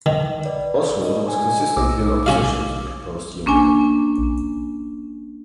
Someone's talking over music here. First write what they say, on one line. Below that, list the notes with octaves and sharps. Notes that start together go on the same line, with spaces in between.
Oswald was consistently in opposition to the proposed union.
D#3
B4 D5
D#5
G#5
B1 D#4 D6 E6
C#4 F#4 F5
A#3 C#4 D4 G#5